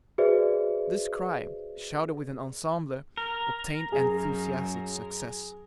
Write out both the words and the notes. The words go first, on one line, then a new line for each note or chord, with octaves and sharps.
This cry, shouted with an ensemble, obtained enthusiastic success.
F#4 G#4 B4 C5 D5 E5
A#4
F#2 G#4